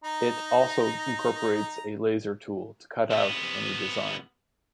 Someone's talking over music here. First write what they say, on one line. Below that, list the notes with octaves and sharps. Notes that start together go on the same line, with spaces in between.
It also incorporates a laser tool to cut out any design.
D#4 A#5
C3 B3